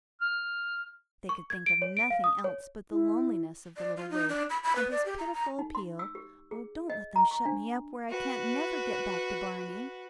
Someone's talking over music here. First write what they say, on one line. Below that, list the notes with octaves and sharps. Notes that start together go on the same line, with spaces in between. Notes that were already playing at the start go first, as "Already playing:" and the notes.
They could think of nothing else but the loneliness of the little waif, and his pitiful appeal: "Oh, don't let them shut me up where I can't never get back to Barney."
F6
C#6
G#6
D7
C#5
D7
F5
D#6
C#5
E4
D5
F4
D#4
D4
B5
B5
B4
D5
G4
A#5
A#5
D#4
C6
E6
G4
G#4
D#5
A#5
C#6
D4
F#4 B4